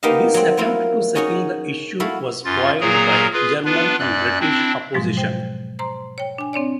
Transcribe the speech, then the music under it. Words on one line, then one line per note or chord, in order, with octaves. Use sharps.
This attempt to settle the issue was foiled by German and British opposition.
A#3 B3 D#4 G4 D#5 F5
F#3 C4
F#3 A#3 E4 F4
C#4 D#4 F#4 G#4 C#5
E4 F#4 A4 F5 B5
F#2 F4 A6
A#2 F#3 A#3 G#4 A#4 A#5
F4 G#4 B4
B3 D4 F4 B4
F#2 D5 F#6
C4 D4 E4
G#2 B2 F3 F#3 G#3
C5 G5
C5 A#5 C6
C#5 G5
D4 G#5
C4 D4 C#5 D5